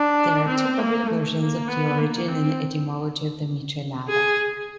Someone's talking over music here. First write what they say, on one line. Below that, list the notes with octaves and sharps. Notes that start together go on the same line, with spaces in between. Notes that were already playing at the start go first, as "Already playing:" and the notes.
There are two popular versions of the origin and etymology of the michelada.
Already playing: D4
C4
A#3
A3
A#3
B3
A#3
C4
G#4